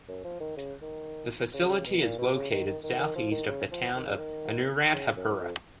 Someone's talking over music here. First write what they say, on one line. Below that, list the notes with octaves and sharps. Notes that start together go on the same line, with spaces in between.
The facility is located southeast of the town of Anuradhapura.
F#2
F3
D#3
C#3
D#3
C#3
C#3
B2
A#2
B2
C#3
D#3
D#3
D#3
D#3
F3
D#3
C#3
F3
D#3
C#3
D#3
C#3
F#2
F2